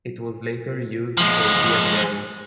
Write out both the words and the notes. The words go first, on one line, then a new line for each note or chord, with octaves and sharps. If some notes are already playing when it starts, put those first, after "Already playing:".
It was later used for diathermy.
F3 G#3